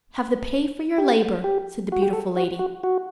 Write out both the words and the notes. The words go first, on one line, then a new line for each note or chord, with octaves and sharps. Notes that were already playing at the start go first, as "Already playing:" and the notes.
"Have the pay for your labor?" said the beautiful lady.
G4
G4
F#4
G4
A4
F#4
F#4
F#4